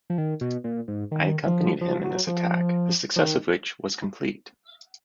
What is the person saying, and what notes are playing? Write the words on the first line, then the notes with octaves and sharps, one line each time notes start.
I accompanied him in this attack, the success of which was complete.
F3
D#3
B2
A#2
G#2
D#3
F3
F3
F#3
F3
F3
D#3